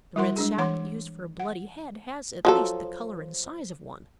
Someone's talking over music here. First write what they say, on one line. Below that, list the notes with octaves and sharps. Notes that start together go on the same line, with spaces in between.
The red sack used for a bloody head has at least the color and size of one.
G3 E4 F#4 A#4 F#5 C6
G#3 D4 G#4
E3 C#5 F#5 C6 D6
F#5
F3 F#3 A4